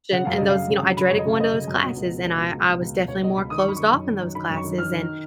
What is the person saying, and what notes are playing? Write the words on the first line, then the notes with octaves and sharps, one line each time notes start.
h and and those you know, I dreaded going to those classes, and I I was definitely more closed off in those classes, and,
C#3 F#5
F#2 F5
C#3 D#5
F5
F#2
C#3
F#2
C#3 B5
F#2 C#5
D#5
C#3 F5
F#2 D#5
C#3
F#2
B2
C#2
B2
C#2
B2
C#2
B2
C#2
B2
C#2 C#5
B2 D#5
C#2 B5
D#3 D#6
C#6
F#2 B5
D#3 C#6
F#2
D#3
F#2
D#3 B5
F#2
C#6
D#3
F#2 F6
D#3